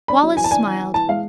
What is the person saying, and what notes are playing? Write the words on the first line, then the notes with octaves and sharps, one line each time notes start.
Wallace smiled.
D4 B5
F#3
E3 G#5
A5
D4 G#5
E3
E3
E3 A5
G#3 F5